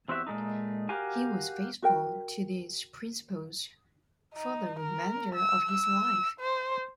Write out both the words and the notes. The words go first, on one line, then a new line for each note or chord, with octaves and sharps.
He was faithful to these principles for the remainder of his life.
E2 C4 F#4 G4 E5
A#2 G#3 A3 D#4
F#4 G4 A#4 F5 G#5
F#4 A#4 G5
D#4
A#4
E6
E6
C5